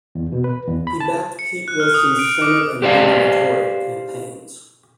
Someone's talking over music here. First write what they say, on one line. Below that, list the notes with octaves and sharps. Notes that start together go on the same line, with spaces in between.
He backed Pete Wilson's Senate and gubernatorial campaigns.
E2
B2
B4
E2
B5
A5
C#7
F#6
F6
D#6
D7
D6
G4 C5 D5 F5